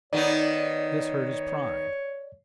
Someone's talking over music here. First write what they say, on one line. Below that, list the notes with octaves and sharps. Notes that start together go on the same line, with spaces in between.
This hurt his pride.
D#3 B3 D#4 C#5 D5